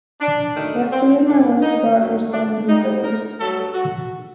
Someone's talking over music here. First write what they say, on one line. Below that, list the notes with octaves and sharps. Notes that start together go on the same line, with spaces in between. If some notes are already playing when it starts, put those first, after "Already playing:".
Yesterday my wife bought herself new pillows.
D4
F#2 D#3 A3
C4
A2 A3 D4
D#4
F#2 F#3 A3
D4
A#2 G3 D#4
A#4
G2 F#3 A3 A4
F#4